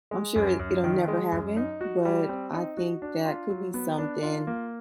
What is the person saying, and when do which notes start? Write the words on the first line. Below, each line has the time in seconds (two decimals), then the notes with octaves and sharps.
I'm sure it it'll never happen, but, I think that could be something
0.11 G#3
0.36 F#2
0.59 F#2
0.84 D#3
1.08 G#3
1.32 F#2
1.57 D#4
1.81 F#4
2.05 G3
2.29 C4
2.54 D#4
2.77 F#4
3.02 D4
3.26 F4
3.50 F#3
3.74 B3
3.98 D4
4.23 F4
4.47 A#3